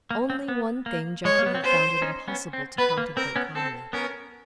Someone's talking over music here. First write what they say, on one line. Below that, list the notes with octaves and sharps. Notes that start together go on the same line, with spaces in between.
Only one thing Jeffrey had found it impossible to contemplate calmly.
A#3
C4
B3
A#3
G#3 C#5
A#3
B3
C4
B3 C#4 C5
C#4 D#4
B3 C#4
C4
B3 B4
A#3
C4 A#4
B3 C#4
C4 A4
B3 C#4 A#4